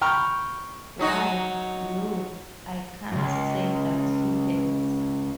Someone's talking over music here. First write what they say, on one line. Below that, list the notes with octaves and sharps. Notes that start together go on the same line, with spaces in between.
Why, no, I can't say that he has.
G5 A#5 B5 C#6 F6
F#3 D#4 F#4
C#2 F#2